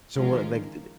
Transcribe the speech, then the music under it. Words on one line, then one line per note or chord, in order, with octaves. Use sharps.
So what, like, did they
C3 F3 G#3 C#4 F4 A#4
D#3